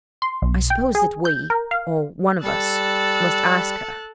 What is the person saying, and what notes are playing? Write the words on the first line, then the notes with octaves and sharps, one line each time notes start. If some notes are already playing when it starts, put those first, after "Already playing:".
"I suppose that we--or one of us--must ask her."
C6
B1
G5
G#4
G6
A#4
F5
G3 A4 E6 F#6 A6